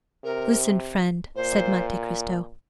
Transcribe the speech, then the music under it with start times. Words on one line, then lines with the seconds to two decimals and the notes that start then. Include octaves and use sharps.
"Listen, friend," said Monte Cristo.
0.24 C3 A#4
1.36 A#2 C5